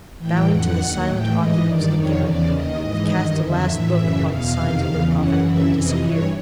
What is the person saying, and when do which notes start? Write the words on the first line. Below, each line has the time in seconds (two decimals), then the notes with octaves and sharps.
Bowing to the silent occupants of the garret, he cast a last look upon the signs of their poverty and disappeared.
0.18 A2 E3 G5
0.48 F2 D3 F#5
0.77 D#2 D#3
1.06 A2 E3 G5
1.35 G#2 E3 D#5
1.63 G2 D#3 D5
1.92 F2 C3 D#3 C#5
2.21 E2 C#3 E3 D5
2.50 D#2 D#3 D#5
2.80 G#2 E3 D#5
3.09 G2 D#3
3.38 F2 D3 E5
3.66 A2 E3 E5
3.96 F#2 C#3 E3
4.24 E2 B2 F5
4.54 F2 C3 D#3
4.83 E2 C#3 E3
5.11 F#2 C#3 E3 F#5
5.41 F#2 C#3 E3 E5
5.69 F2 C3 E3 D#5
5.98 G2 E3 C#5